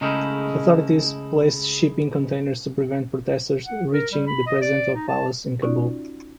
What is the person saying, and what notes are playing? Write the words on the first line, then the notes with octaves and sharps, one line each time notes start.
Authorities placed shipping containers to prevent protestors reaching the presidential palace in Kabul.
C#3 G#3 A3 D#4 E4 A#4
F#5
A#4
G3
B5
D#5
D5
D#4
A5
C#4 D#4 F4 F#4 D5